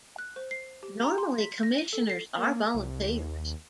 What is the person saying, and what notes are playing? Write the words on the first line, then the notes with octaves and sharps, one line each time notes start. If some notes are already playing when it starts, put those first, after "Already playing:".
Normally, commissioners are volunteers.
F#6
C5
C7
G4
A#5
C6
B6
A#6
D#7
A4
C7
A#3
C2
D#2